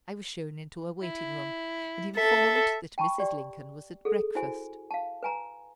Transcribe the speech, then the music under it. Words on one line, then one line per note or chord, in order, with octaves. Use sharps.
I was shown into a waiting-room, and informed that Mrs. Lincoln was at breakfast.
E4
A4 E5
G5 A5 B5 C#6
G4 D5 G5
G#4 A4
E4 F#4 C5 G#5
F5 A5
B4 G#5 A#5